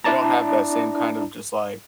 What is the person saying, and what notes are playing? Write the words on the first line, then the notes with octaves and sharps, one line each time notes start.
they don't have that same kind of just, like
D4 E4 D5 A5 A#5